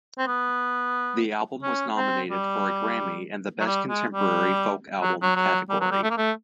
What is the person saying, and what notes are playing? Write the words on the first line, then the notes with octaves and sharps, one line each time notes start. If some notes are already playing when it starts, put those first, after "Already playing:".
The album was nominated for a Grammy in the Best Contemporary Folk Album category.
C4
B3
C#4
C4
G3
F#3
G3
G#3
G3
F#3
F#3
F#3
G3
F#3
G3
A3
A#3
A3